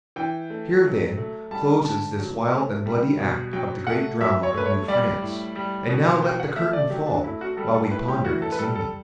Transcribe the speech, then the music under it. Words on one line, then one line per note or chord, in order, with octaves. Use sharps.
Here, then, closes this wild and bloody act of the great drama of New France; and now let the curtain fall, while we ponder its meaning.
E3 G5
A3
F#3
A3
G3 A5
D3 A5
F#3
A3
G3
B2
F#3 G5
A3 F#5
F#3 E5
C#5
A3 B4
C#5
G3 D5
A2
G3
B2
F#3 G5
F#5
A3 E5
D5
F#3 G4
D4
A3 E4
F#4
G3 A4
A4
A2 B4
G4
E3 F#4
A4
B4
G3 A4
A4